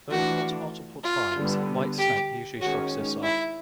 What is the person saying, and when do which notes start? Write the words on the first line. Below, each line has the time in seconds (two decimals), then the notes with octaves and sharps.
Though caught multiple times, White Snake usually shrugs this off.
0.10 E3 A3 D4 F4 F#4
1.04 F4
1.36 D3 G3 B3
1.98 G4
2.61 D#3 G#3 C#4 F#4
3.23 E4